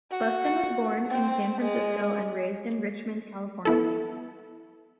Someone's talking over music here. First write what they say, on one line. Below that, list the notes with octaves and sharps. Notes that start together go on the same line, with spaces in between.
Buston was born in San Francisco and raised in Richmond, California.
F#4
C4
G#3
B3 E4 A4